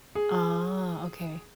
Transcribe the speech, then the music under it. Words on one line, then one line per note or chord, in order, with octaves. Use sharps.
ah, okay.
G#4